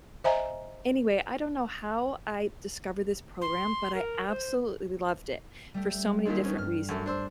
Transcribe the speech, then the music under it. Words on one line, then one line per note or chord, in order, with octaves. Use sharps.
Anyway, I don't know how I discovered this program, but I absolutely loved it for so many different reasons.
C5 D#5 E5 G#5 A#5
C6
A#4
C5
G3 A3 G4
A#2 D#3 G#3 D4 A4
D#3 B3 C#4
G2 G3 F6
F#2 A3
D4 C5 E6